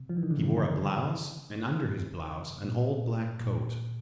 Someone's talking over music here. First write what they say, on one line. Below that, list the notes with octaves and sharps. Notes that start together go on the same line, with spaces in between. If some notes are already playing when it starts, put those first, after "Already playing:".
He wore a blouse, and under his blouse an old black coat.
Already playing: C3
F3
E3
D#3
D3
C#3
A#2
A#2